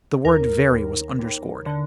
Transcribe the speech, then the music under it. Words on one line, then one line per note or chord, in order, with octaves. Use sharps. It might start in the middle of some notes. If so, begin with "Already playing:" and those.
The word 'very' was underscored.
D#2 A#4
D#2
D#2
D3